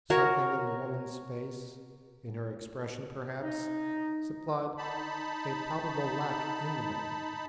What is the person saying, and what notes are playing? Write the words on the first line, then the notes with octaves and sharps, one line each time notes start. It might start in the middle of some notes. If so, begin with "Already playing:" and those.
Something in the woman's face, in her expression perhaps, supplied a palpable lack in the man.
F#4 A#4 C#5
D#4
D#4 A5 B5